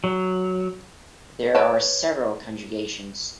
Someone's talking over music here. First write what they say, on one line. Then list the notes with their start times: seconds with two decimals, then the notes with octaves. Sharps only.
There are several conjugations.
0.04 F#3
1.55 B4 C#5 G5 A5